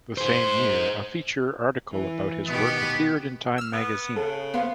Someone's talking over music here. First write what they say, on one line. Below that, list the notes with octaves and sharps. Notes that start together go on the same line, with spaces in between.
The same year, a feature article about his work appeared in Time Magazine.
G#4 C5
E3
B2 D#3 B3 G4
E6 F6
B3
C#3 A4
B3 C5 F5